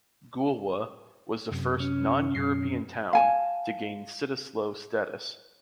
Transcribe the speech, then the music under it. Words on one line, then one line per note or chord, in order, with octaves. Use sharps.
Goolwa was the first non-European town to gain Cittaslow status.
F#2 C3
C#4
F#2 B2 C7
F5 G#5 A5